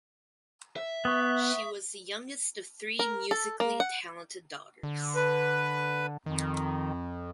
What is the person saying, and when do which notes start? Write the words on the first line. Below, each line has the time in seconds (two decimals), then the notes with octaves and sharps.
She was the youngest of three musically talented daughters.
0.76 E5
1.05 B3 C#6 D#6
2.99 A#4
3.31 A4
3.60 A#3
3.80 F#5
4.83 D3
5.15 B4
6.26 F2 D#3